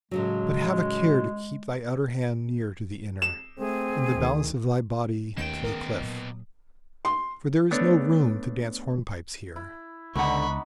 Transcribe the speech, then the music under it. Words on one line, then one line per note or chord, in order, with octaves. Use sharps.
But have a care to keep thy outer hand near to the inner, and the balance of thy body to the cliff, for there is no room to dance hornpipes here.
A2 C#3 F#3 G#3
E7
A3 C4 G#4
D2 D#3
D#2 B2 D#3 A3 C#4 G5 G6 E7
C#3 A#4 D6 D#6
A#2 F#3
C6
A3 B3 D4 C#5 D5
E4
C#2 D3 B3 D4 D#4 F#5 B5 C#6